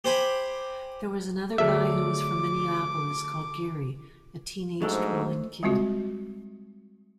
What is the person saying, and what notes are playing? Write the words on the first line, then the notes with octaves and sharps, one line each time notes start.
There was another guy who was from Minneapolis called Gary, a teenaged blind kid.
G4 C5 G#5 B5
D3 F#3 A3 G#4 E5 D6
G#2 F3 F#3 A3 D4 A4 C5
G3 G#3 C4 F4 F#4